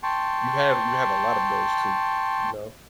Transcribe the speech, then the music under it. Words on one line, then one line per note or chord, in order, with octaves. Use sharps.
you have you have a lot of those too, you know.
G5 A5 C6 C#6